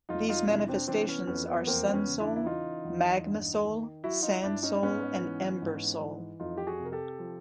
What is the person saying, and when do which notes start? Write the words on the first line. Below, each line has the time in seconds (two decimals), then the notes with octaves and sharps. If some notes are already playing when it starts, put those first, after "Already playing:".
These manifestations are Sunsoul, Magmasoul, Sandsoul, and Embersoul.
0.09 F2 D#4 F4
0.29 D#4 F4
0.48 C3 D4 E4
0.68 C4 D4
0.88 E3 C4 D4
1.08 B3 C#4
1.27 F2 B3 C#4
1.47 B3
1.57 B3
1.67 E2 A#3 C4
1.88 C4
1.93 B3 C#4
2.07 C#3
2.20 D4 E4
2.36 E4
2.46 E3 D#4 F4
2.85 E2
3.25 G2
3.65 D#3
4.04 F#3 E4 F#4
4.23 D#4 F4
4.43 G2 D4 E4
4.63 C#4 D#4
4.83 G#2 B3 C#4
5.22 E3
5.62 G#2
6.01 E3
6.40 F2 D#4 F4
6.57 G4
6.67 F#4 G#4
6.79 C3
6.85 A#4
6.92 G4 A4
7.19 F3